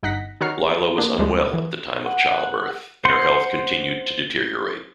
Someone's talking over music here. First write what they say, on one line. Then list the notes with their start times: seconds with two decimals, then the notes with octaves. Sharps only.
Lila was unwell at the time of childbirth, and her health continued to deteriorate.
0.03 G1 D#4 F#5 A#6 B6
0.41 D#3 F#4 C#5 A#5 F6 C7
0.98 A#3 D4
1.18 D2 G3 G#3
1.54 E3
2.06 F#5
3.05 C5 F#5 C6